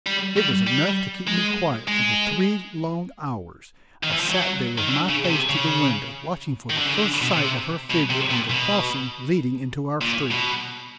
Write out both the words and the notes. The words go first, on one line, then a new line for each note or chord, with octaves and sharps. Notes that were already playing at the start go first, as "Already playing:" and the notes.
It was enough to keep me quiet for the three long hours I sat there with my face to the window, watching for the first sight of her figure on the crossing leading into our street.
G3
G3
G3
G#3
G#3
D#3
E3
F3
F#3
D#3
D3
C#3
C#3
C3
C#3
D#3
D3
C#3
D3
B2
C3
B2
C3
A#2
B2
A#2
B2